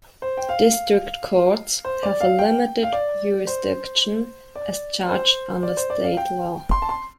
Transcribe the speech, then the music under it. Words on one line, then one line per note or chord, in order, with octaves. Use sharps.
District Courts have a limited jurisdiction as charged under state law.
C5
G5
F5
C5
D5
F5
G5
F5
D5
C5
D5
C5
D5
C5
D5
F5
G5
C6
A5
C6